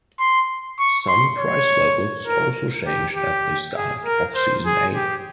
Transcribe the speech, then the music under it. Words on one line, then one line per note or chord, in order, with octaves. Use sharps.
Some prize levels also changed at the start of season eight.
C6
C#6
C6
C#5
A#4
G4
G4
G#4
A#4
C5
G#4
G4